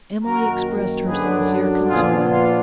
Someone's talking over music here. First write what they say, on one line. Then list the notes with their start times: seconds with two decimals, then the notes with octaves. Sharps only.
Emily expressed her sincere concern.
0.23 F#2 D#3 A#3 F#4 A#4
1.07 F#2 D3 F#3 D4 G#4 B4
1.89 A#2 F3 B3 D4 F4 G#4
2.31 F4